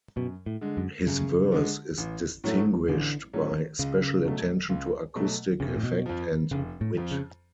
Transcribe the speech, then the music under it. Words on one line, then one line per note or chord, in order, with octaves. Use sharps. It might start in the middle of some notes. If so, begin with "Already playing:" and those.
His verse is distinguished by special attention to acoustic effect and wit.
F#2 B2
A2
D3 G#3
F#2
F#2 C#3
D3 G#3
A1
A2 F#3 A3 C#4
A1 D3
A2 F#3 A3 C#4
C#2 C#3
B2 F#3 A3
C#2
B2 F#3 A3
F1 C#3
B2
A2
B2
F2 F3
F1 C#3
A2
F2 F3
C#3